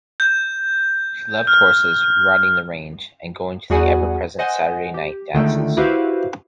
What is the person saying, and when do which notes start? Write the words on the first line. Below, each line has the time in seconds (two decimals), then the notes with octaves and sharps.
She loved horses, riding the range, and going to the ever-present Saturday night dances.
0.20 G6
1.47 F6
3.70 E2 G3 F#4 G#4 F#5 G#5
4.39 C5 D#5 F#5 G#5
4.94 G4
5.34 C#2 D3 D#3 A3 G5
5.77 E4 F#4 G4 B4 C5 F5